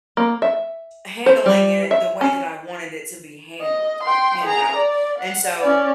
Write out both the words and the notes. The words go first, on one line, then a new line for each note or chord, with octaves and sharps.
handling it the way that I wanted it to be handled, you know, and so,
A#3
E5
C5
G3
E5
C#4
D#5
G5 C6
G#4 A#5
D5
F#5
C#4 D5